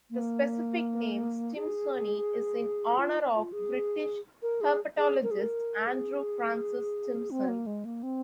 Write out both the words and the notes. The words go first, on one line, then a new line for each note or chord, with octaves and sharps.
The specific name, "stimsoni", is in honor of British herpetologist Andrew Francis Stimson.
A#3
G#4
F4
F4
G#4
A#4
G#4
G#4
A#4
G#4
A#4
G#4
C4
A#3
G#3
A#3
C4